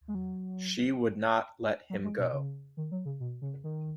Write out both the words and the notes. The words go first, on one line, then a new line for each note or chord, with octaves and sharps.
She would not let him go.
G#3
F#3
F#3
G#3
B2
C#3
D#3
F#3
C#3
B2
C#3
D#3